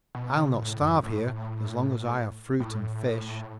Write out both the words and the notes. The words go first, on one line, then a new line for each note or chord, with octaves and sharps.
"I'll not starve here as long as I have fruit and fish."
B2
C#3
A2
F#2
A2
A2